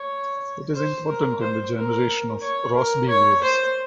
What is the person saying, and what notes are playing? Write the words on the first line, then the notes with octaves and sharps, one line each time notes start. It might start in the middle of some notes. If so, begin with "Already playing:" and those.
It is important in the generation of Rossby waves.
Already playing: C#5
C5
A#4
C5
A#4
C#5
A#4
C#5
C5